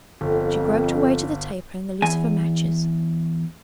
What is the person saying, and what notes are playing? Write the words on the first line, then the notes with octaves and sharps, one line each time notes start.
She groped her way to the taper and the lucifer matches.
G1 F2 A4 G5
E2 G#5